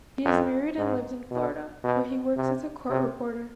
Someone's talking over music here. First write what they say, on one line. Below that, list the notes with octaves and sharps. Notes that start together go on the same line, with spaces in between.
He is married and lives in Florida, where he works as a court reporter.
F2
G#2
B2
B2
C3
C3